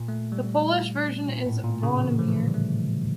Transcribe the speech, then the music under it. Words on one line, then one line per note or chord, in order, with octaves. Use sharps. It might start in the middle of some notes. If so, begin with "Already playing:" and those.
The Polish version is Bronimir.
Already playing: A#2
A3
G3
A#2
A2
A#2
C#3
E3
F3
E3
D3
G3
A3